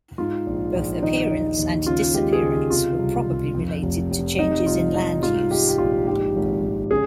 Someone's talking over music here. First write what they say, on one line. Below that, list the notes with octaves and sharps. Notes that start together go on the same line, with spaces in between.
Both appearance and disappearance were probably related to changes in land use.
G#2 F4
A#1
A#1
D#3 D#4
D#2
D#2
C#3 F4
G#3 G4
G#4
C#2 G4
C3 F4
C2
C2
F2
F1
F1
C3 D#4
C2 F4
C2 D#4
G#2 F4
G#3 G4
G4
A#1 F4
G#2 G4
G#1
G#1
C#3 G#4